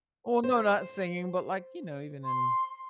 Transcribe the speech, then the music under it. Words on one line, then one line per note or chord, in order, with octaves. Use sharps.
Well, no, not singing, but, like, you know, even in
C5
C6